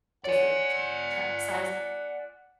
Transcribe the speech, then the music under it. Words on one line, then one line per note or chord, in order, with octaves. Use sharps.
different t ta size,
C#5 D5 F#5 G#5